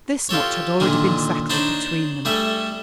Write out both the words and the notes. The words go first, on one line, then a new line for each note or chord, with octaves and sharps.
This much had already been settled between them.
F4 G4 A4 C#5
A#2 D3 D#3 G#4
D4 D#4 C5 C#5 A5 B5
G3 A3 G#4 A4 E5